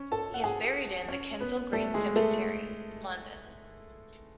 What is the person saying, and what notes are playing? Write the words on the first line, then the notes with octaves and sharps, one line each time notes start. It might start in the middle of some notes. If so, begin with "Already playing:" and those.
He is buried in the Kensal Green Cemetery, London.
Already playing: C#4 C#5
A4 A5
F#5
G#4 G#5
C#4 C#5
B3 B4
A3 A4
G#3 G#4
A3 A4